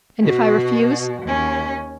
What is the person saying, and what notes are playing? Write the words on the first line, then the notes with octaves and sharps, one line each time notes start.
"And if I refuse?"
B2 F#4
D#2 C#4